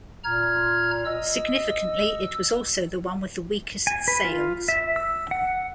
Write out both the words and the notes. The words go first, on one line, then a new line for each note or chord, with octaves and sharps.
Significantly, it was also the one with the weakest sales.
A#2 A#5 F6 G#6
D#5 E6
G#5
B4
F4
E5
E6
F#5